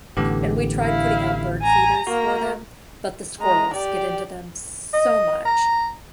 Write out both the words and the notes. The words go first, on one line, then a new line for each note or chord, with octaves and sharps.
and we tried putting out bird feeders for them, but the squirrels get into them so much,
A1 A2 D3 B3 G4
E4 F5
G#5 A#5
A#3 F#4 A#5
G#3 A#5
G4 D5
D#5
A#5